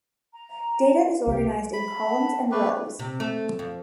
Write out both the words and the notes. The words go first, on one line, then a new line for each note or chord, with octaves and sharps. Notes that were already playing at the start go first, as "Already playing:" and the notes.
Data is organized in columns and rows.
A#5
C2 G4
B5
F#5 A5
A3 A#3 C4 B4 D6
C3
A3
F2